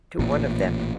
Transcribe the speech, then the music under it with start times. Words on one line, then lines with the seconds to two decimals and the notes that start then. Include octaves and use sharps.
To one of them.
0.19 A1 A#2